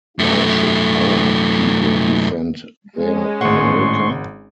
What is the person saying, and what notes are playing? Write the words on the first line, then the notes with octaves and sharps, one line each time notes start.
Why should "our" people defend "their" America?
F#2 A3
G#3 C#4
G#1 A2 F#5 C6 C#6